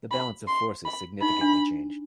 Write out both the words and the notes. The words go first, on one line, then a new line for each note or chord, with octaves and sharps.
The balance of forces significantly changed.
B5
C6
B5
D#4 B5
D4